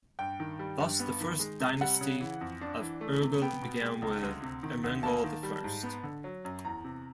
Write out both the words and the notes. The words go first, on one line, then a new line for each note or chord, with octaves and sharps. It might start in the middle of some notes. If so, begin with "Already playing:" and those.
Thus the first dynasty of Urgell began with Ermengol I.
G2 G5
D#3
G3
G2
B3
D#3
G#3
C3
G3 F#5
C#3
E3
F2
D4
E3
A3
C3
B3 G5
B2
G#3
C#2
D2
C3
D#3
D2
A#3 A5
D#3
G3
G#2
B3
D3
F#3
F#2
E2 A#5
C3